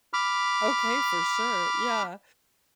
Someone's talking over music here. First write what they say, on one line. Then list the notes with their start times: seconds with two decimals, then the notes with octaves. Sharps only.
Okay, for sure, yeah.
0.13 B5 D6 F6